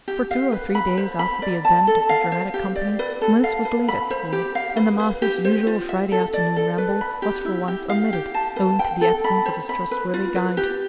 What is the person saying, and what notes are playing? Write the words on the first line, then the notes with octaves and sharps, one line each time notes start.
For two or three days after the advent of the dramatic company, Mliss was late at school, and the master's usual Friday afternoon ramble was for once omitted, owing to the absence of his trustworthy guide.
G4
F5
B4
B5
C5
B5
D5
A5
A4
F5
C5
G4
D5
B4
A4
F5
B4
B5
C5
G4
F5
B4
B4
G4
C5
F4
E5
A4
D5
A4
B4
B5
G4
E4
G4
F5
G4
A5
B4
G5
A4
B5
C5
B5
B4
F4
B4
G4